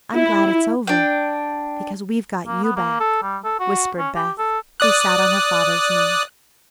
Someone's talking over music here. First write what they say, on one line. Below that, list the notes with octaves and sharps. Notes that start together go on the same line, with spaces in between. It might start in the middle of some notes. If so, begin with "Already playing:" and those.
"I'm glad it's over, because we've got you back," whispered Beth, who sat on her father's knee.
E4
D4 G5
A#3
B3
A#3
A4
G3
A4
F#4
C#4
G4
A4
D5 D#6 F#6